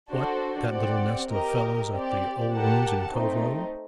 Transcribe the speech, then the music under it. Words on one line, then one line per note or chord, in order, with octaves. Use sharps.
'What, that little nest of fellows at the "Old Rooms" in Cove Row?
D4 F#4 A4 C5
C4 G4 D5 F#5
G4 A#4 D#5
C4 G4 D5
G4 A#4 F#5 A5
A3 C4 D#4